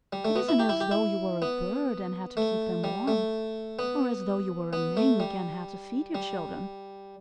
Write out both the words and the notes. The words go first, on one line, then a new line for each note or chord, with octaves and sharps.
It isn't as though you were a bird and had to keep them warm, or as though you were a Mink and had to feed your children.
G3
A3
B3
E4
G4
E4
G4
E4
B3
A3
G3
A3
B3
B3
A3
G3
G3